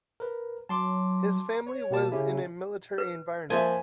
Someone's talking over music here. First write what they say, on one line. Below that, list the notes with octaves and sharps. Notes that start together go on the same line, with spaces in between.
His family was in a military environment.
A#4 B4
F#3 A5 C6 D6
C#5
B2 A#3 A5
C#3 C#4 E4 G4
B4
F3 A#3 E5 G#5